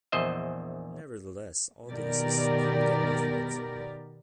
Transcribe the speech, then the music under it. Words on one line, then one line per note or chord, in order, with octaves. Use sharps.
Nevertheless, audiences couldn't get enough of it.
A#1 E2 C5 D#5 E5
B2 D#3 B3 G4 A#4 D5